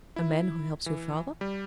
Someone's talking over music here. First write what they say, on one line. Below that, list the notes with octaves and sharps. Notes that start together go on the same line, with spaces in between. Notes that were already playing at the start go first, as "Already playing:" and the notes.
"A man who helps your father?"
E4
E3
G3